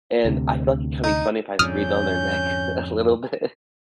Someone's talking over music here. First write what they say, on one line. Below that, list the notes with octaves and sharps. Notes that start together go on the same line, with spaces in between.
and I thought, like, it can be funny if I breathe on their neck a little bit,
D2 C3
D#4
F2 G#2 D3 C#4 D#6 F6 G6